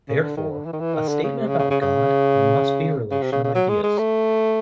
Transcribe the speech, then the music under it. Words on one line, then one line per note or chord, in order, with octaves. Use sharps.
Therefore, a statement about God must be a relation of ideas.
C#3
D3
D#3
D3
E3
D#3
E3
D#3
D3
C#3
C3
C#3
C#3
C#3
C#3
C#3
C3
C#3
C#3
F#3
G#3
G#3
A3